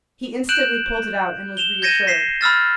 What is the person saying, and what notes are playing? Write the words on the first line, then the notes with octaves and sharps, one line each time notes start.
He instantly pulled it out and was reassured.
F#6 G6 D7 E7 F#7
E7 F7 G7
G6 G#6 A#6 C#7 D#7 E7
B6 C7 E7
B5 E6 F6 A6